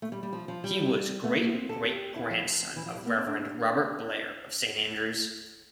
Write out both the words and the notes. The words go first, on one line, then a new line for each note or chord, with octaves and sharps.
He was great great grandson of Reverend Robert Blair of Saint Andrews.
A3
G3
G3
F3
F3
G3
A3
A#3
C4
A4
G4
E4
F3
F3
E3
F3
G3
A#3
C4
D4